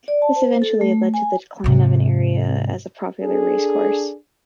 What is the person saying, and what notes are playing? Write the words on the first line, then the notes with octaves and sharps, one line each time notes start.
This eventually led to the decline of the area as a popular racecourse.
D5
A5
C5
A4
A3
G#5
G#2 C3
D4 G#4 A4